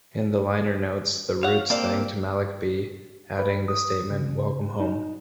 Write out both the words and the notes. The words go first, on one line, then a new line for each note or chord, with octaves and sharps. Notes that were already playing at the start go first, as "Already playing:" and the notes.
In the liner notes, The Roots thanked Malik B, adding the statement: "Welcome Home".
C#5 F5 F#5
A#3 C4 D5 F5 A5
B4
D#6
C#3
D#4